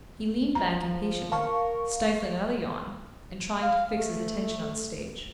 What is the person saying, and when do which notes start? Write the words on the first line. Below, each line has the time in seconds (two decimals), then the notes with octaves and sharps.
He leaned back impatiently, stifling another yawn, and trying to fix his attention on the stage.
0.55 F3 A#5
1.32 A#4 F5 A5 C#6
3.62 F5
3.92 A3